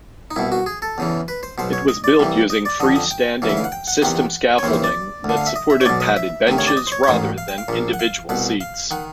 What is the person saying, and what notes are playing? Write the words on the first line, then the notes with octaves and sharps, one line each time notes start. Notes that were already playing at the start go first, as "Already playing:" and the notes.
It was built using free-standing system-scaffolding that supported padded benches rather than individual seats.
D#4
C2 B2 E4
F#4
G#4
A4
E2 C#3 E3
B4
C5
B1 B2 C5
C#5
D#5
D5
C2 C3 E3
D#5
D5
F2 D3 D#5
D#5
G5
D2 C#3 E3
E5
F5
F#5
G5
F#5
E2 C3 D#3 F#5
C#5
D#2 C#3 E3 C5
C5
D5
D2 D3
F5
E5
D#5
E5
C#5
B1 B2 D5
D#5
E5
D2 C3 D#3
C#5
D5
D#5
C5
C#5
C#5
A1 G#2 D#3 C5
F5
G5
F5
A#1 A#2
F#5
F5
C2 B2 F#5
F5
D#3 F#5